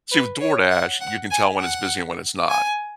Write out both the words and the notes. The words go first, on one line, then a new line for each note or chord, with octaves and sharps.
see with DoorDash, you can tell when it's busy and when it's not
B4
C#5
F#5
F#5
G#5
F#5
G#5